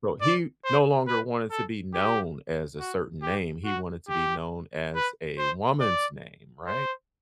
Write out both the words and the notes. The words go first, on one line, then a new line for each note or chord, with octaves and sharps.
Well, he no longer wanted to be known as a certain name. He wanted to be known as a woman's name, right?
D5
C5
B4
A4
G4
F#4
G4
F#4
G4
B4
C5
D5
C5